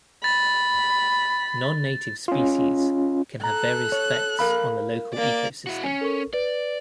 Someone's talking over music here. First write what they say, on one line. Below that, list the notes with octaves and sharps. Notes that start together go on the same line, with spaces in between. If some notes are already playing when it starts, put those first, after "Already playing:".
Non-native species can have various effects on the local ecosystem.
B5 A6
C#4 F4
A4 A#5 F#6
C#5
A#4 F5 B5
A#3 D5
E4 F#4
C#4 G#5 C#7
A4 A#4 C#6
B4 D5